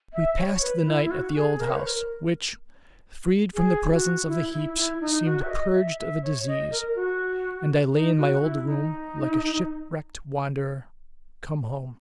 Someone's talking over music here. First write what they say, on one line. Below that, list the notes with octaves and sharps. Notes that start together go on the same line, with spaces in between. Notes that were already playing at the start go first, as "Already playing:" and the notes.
We passed the night at the old house, which, freed from the presence of the Heeps, seemed purged of a disease; and I lay in my old room, like a shipwrecked wanderer come home.
E5
C#5
B4
E4
E4
F#4
G#4
A#4
C#5
B4
A#4
G#4
F#4
E4
E4
E4
D#4
F#4
E5
D#5
E5
E5
C#5
D#5
A#4
F#4
D#4
F#4
E4
D#4